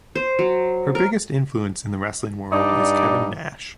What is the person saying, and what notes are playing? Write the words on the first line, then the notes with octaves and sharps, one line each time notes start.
Her biggest influence in the wrestling world is Kevin Nash.
C5
F#3
A#4
G2 D#4 D5